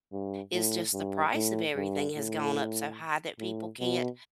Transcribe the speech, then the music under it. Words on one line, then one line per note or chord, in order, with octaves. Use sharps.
it's just the price of everything has gone up so high that people can't
G2
A2
G2
A2
G2
A2
A2
B2